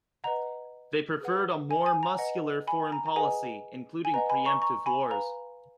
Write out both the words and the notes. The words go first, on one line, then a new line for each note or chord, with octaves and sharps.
They preferred a more muscular foreign policy, including preemptive wars.
B4 D#5 F#5 A#5
G#4 B4 F#5
G#5
G#5
A#5
B4 D#5 F#5
G#5 B5
A#5
A#5
G#4 B4 D#5 F#5 G#5
G#5
B4 D#5 F#5 A#5
G#5 B5
A#5 C#6
A#5 C#6
G#5 B5
B4 F5 A#5